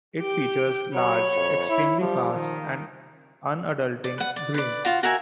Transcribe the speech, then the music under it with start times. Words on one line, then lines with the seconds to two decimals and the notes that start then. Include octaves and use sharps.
It features large, extremely fast, and undulating greens.
0.19 G4 G5
0.95 F#3 C#5 B5
1.35 F2
1.69 E4
2.00 F3 G3
2.33 D#3
4.04 D5
4.18 B4 F#5
4.36 D5
4.54 B4 D5
4.85 F4 F#4
5.03 F#4 A#4 E5 G#5